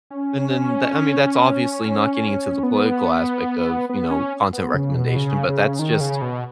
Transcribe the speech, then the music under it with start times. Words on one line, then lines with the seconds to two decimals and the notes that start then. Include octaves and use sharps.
and then that I mean, that's obviously not getting into the political aspect of, you know, content recommendation. But that's just
0.11 C#4
2.63 B3
3.89 B3
4.11 C#4
4.53 B3
4.74 C#3
4.95 B2
5.16 C#3
5.48 C#3
5.79 D#3
6.00 C#3
6.22 B2